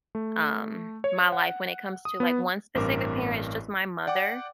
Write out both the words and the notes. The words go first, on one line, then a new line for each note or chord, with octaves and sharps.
um, my life when it comes to like one specific parent. It's just my mother.
A3
C#5
F#5
D#6
B3
A1 G2 C4 A#4 D6
D5 F#5 G5 D6